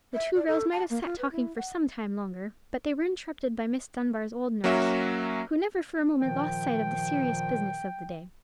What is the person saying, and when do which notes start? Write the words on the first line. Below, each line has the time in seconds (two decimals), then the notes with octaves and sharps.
The two girls might have sat talking for some time longer, but they were interrupted by Miss Dunbar's old nurse, who never for a moment lost sight of the serious business of the day.
0.14 E5
0.35 D5
0.47 A4
0.72 A5
0.90 A#3
1.05 F4
1.18 B4
1.32 E4
1.57 F#5
4.64 F#3 A#3 C#4 F#4 E5
6.21 A#2 D#3 F3 G5